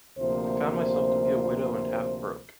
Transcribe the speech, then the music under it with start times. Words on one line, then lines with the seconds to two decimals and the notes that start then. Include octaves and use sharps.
I found myself to be a widow and half broke.
0.18 D2 C3 F3 A#3 C5